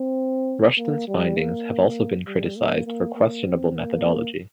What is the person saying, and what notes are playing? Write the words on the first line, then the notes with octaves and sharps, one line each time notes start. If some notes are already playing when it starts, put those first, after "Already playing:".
Rushton's findings have also been criticized for questionable methodology.
Already playing: C4
A#3
G3
A#3
G3
A#3
A#3
A#3
C4
A#3